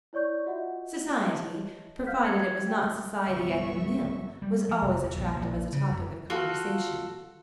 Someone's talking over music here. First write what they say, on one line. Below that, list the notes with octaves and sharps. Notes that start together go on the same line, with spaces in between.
Society--provided it was not society at the mill--was always attractive as a topic of conversation.
E4 C#5 D5 C#6 G6
F4 F#4 D#5 E5 F#5
C#5 D#5 E5 A5
F5 F#5 F6 G6 B6
C#6 G#6 C#7
G5
G1 C2 B3 E5 C#6
G3
F3
F1
E2
A#1
A#1
C#3
F#2
F4 F#4 A4